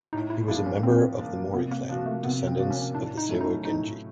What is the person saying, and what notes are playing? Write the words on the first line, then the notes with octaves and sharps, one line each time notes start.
He was a member of the Mori Clan, descendants of the Seiwa Genji.
A2 D#4
E4
F3 A#3 D4 E4
C#4
A2 C4
F3 A#3 D4
C3 B3
A#3
F3 A#3 D4 F#4
A3
C3 B3
C4
F3 A#3 D4 F#4
C#4
A2 D4
D#4
F#3 A3 C#4 E4
D#4
A2 D#4